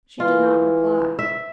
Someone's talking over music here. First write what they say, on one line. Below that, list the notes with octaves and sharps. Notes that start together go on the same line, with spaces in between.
She did not reply.
E3 F4
E5